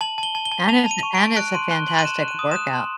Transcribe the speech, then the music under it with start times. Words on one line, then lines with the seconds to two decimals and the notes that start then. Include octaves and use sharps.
And it's and it's a fantastic workout.
0.01 A5 F#7
0.18 A5 G7
0.35 A5
0.46 G7
0.52 A5
0.69 A5 F7
0.86 A5
0.91 D#7
1.03 C#6
1.15 D7
1.20 A5
1.37 F#6 D7
1.54 C6 D#7
1.71 F#6 G7
1.88 C6 F#7
1.99 D#7
2.05 F#6 E7
2.23 F#6
2.28 D#7
2.39 D#6
2.52 F#6 E7
2.74 C6